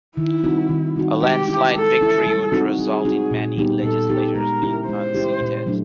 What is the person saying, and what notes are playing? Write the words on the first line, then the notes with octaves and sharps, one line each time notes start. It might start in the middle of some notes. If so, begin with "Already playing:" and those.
A landslide victory would result in many legislators being unseated.
D#3 E4
G3 C4 D#4 F#4
D#3
G3 C4 D#4 F#4
G#3 G4
C#4 E4
G#3 A4
C#4 E4
G3
C4 D#4 F#4
G3 G#4
C4 D#4 F#4
A#2
G3 B3 D#4 G4
A#2 A4
G3 B3 D#4 G4
G#3 A#4
C#4 E4 G4
G#3 C5
C#4 E4 G4
A#2
F#3 A3 D4